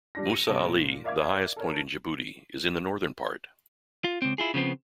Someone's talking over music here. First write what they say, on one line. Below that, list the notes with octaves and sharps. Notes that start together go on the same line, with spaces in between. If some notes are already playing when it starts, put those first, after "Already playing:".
Mousa Ali, the highest point in Djibouti is in the northern part.
G3 D4 A#6
C#7 D#7
G1 G2 C3 C#5 A5 D7
A#2
A#4 D5 E5 F5 D6 G#6
A4 A#4 C#5
F4
C#2 C4
E4 F4 G#4
C#3 F3 B3 C4